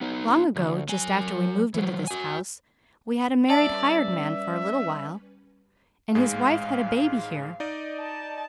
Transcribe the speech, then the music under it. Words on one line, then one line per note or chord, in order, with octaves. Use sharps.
Long ago, just after we moved into this house, we had a married hired man for a little while, and his wife had a baby here.
B3 D#4
D2
F#3 G#5
E3 F#3
F#4 G#5
G3 C#4 B4 D5 E5 A5
A1 G#2 G#3 F5
D#4 D5 D#5
A5